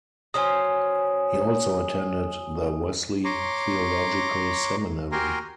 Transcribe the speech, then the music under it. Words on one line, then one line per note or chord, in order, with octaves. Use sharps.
He also attended the Wesley Theological Seminary.
F#3 C#4 C5 G#5 D#6
C#5 A#5 C6 D6
F#4 G4 A#4 G#5 A#5 C6